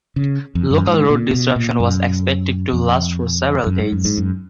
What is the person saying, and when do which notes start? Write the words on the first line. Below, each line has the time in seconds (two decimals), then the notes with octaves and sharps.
Local road disruption was expected to last for several days.
0.16 C#3
0.55 F2
0.71 F#2
0.86 G#2
1.10 A#2
1.34 B2
1.56 A#2
1.80 F#2
2.73 F2
3.66 F#2
3.80 G#2
3.92 F#2
4.05 G#2
4.18 F#2